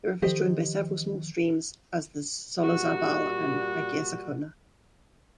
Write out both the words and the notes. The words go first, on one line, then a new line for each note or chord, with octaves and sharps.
The river is joined by several small streams as the Solozabal and Agirre-Sakona.
D#3 F3 G4 C5 D#5
A#2 G3 F#4